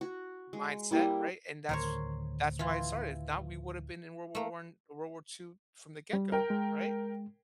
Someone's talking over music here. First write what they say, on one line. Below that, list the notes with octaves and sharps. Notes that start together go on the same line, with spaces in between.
mindset, right? And that's that's why it started. Now, we would have been in World War I World War II from the get go, right?
F#4
G#3
G3 A#3 E4
D2 A2 D#3 A#4 C5 C#5
E3 F4
A3 A#3
G3
A#4 G5
G#3